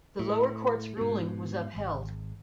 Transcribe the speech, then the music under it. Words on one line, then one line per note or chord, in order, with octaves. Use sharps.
The lower court's ruling was upheld.
A2
G#2 B2
G#1